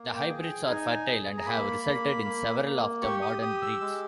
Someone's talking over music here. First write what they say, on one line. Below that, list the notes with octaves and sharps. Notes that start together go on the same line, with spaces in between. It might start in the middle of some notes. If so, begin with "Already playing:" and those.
The hybrids are fertile and have resulted in several of the modern breeds.
Already playing: A#3
G5
G#4
G5
D#4 G#5
G#4
A#5
A#3 B5
A#3
A#3
A#3
G4 C#6
D#6
G4 D#6
E6
G#3 E6